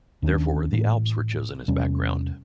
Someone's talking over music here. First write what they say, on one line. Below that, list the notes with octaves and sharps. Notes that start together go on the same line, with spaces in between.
Therefore, the Alps were chosen as background.
D#2 D#3 C#4 D4
A2 E3 A#3
E2 C3 G3 C#4